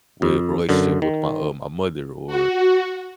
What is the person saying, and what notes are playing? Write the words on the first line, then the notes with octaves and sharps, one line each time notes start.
with relationship with my, uh, my mother or
F2
F#2 D3
D#3
F#4